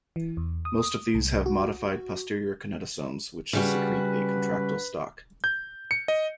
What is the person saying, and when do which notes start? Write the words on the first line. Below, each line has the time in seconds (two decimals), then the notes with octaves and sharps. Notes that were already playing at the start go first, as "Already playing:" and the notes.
Most of these have modified posterior kinetosomes which secrete a contractile stalk.
0.16 E3
0.37 E2
0.65 D#6
1.15 C2
1.46 F#4
3.53 C#3 G3 F#4 B4
5.44 G6
5.91 C#7
6.08 D#5